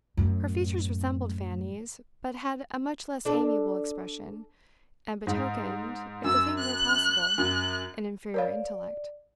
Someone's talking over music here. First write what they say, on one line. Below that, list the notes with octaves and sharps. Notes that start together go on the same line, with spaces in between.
Her features resembled Fanny's, but had a much less amiable expression, and betokened, if the thing were possible, an inferior intellect.
F#2 A2
D4 A4
G#2
F#2 E6
F#6
F#2
A#4 C#5 D5 F5